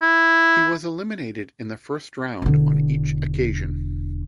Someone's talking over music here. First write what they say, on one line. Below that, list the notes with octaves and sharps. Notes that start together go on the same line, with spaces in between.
He was eliminated in the first round on each occasion.
E4
E1 D3